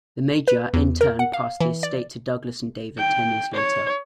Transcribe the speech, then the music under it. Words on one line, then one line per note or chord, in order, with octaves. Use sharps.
The Major in turn passed the estate to Douglas and David ten years later.
B4
E2
A#4
F#5
F5
E3
D5
G5
C#5